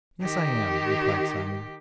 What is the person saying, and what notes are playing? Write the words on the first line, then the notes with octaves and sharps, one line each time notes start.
'Yes, I am,' replied Simon.
D#3 G4